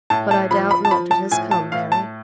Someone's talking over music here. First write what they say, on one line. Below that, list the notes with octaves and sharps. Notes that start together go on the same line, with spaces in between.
"But I doubt not it has come, Mary."
A2 A5
A5
F3 B5
B5
A5
F3 B5
A5
A2 G#5
A5
A2 F5
A5